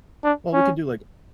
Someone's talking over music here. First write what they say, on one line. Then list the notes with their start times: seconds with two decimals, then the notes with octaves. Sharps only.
Well, we can do, like,
0.24 D4
0.53 C#4